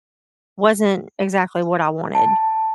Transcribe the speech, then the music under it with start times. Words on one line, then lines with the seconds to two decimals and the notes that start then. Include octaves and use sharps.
wasn't exactly what I wanted,
2.15 A5